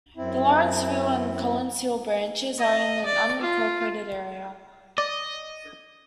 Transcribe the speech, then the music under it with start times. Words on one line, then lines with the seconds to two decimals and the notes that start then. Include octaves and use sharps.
The Lawrenceville and Collins Hill branches are in an unincorporated area.
0.17 F#2 C4 E4
2.58 D#5
3.05 D5
3.41 F4
4.98 D5 D#5